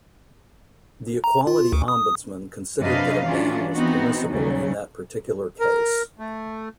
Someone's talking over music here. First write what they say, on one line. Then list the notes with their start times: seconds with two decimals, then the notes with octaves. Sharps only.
The Equality Ombudsman considered that a ban was permissible in that particular case.
1.24 A#5
1.47 F4
1.73 D2
1.88 D#6
2.79 F#2 C3 D4 B4 D#5 F5
3.25 E3 F#3 C#4 D4 F4
3.73 E3 B3 C4 D#4 F#4
4.32 D#2 C#3 F#3 G3
5.60 A#4
6.19 A3